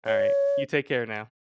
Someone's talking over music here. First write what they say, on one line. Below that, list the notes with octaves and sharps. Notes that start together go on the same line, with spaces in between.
Alright. You take care now.
C#5